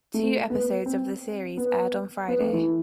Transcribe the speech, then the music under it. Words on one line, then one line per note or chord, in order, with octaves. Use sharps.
Two episodes of the series aired on Friday.
A3
B3
C4
B3
B3
A3
E3